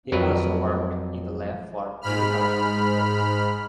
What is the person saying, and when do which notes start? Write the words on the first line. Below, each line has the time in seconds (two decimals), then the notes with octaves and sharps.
He also worked in the lab for Universal Pictures.
0.12 F2 F#3 A#4 B4
2.02 G#2 B5 F6